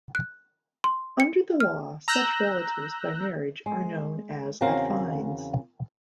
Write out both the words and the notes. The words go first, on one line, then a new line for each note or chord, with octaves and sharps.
Under the law, such relatives by marriage are known as affines.
F#6
C6
C#7
F6
A#5 E6 F#6 G6 A#6
G#3
E2 C#3 C4 F#4 A#4 F5